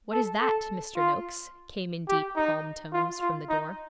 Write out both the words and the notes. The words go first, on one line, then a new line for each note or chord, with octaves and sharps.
'What is that, Mr. Noakes?' came in deep, calm tones from the door.
A4
A4
F4
G4
D#4
F4
F4
D#4